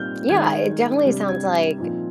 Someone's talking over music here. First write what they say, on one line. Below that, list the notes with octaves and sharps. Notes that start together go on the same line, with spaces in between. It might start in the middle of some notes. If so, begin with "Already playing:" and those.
Yeah, it definitely sounds like
Already playing: A#2 G3 C4 D#4 F6 G6
D#3 G#3 D#4 G#6
C3 G3 D4
G#6
A#2 F3 C4 D#4